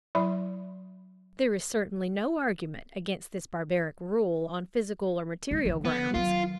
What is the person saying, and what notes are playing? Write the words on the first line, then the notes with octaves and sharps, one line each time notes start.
There is certainly no argument against this barbaric rule on physical or material grounds.
F#3 E4 E5 B5
G#3
D3 F3
B3
D#3 F#3 F4